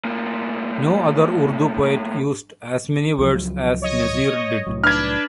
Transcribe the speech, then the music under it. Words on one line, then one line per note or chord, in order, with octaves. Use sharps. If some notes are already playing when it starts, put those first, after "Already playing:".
No other Urdu poet used as many words as Nazeer did.
A2 A#3
C#2 F3 F#3
C#5 D#5
C2 A2 F#3
D4 B4 F6 G#6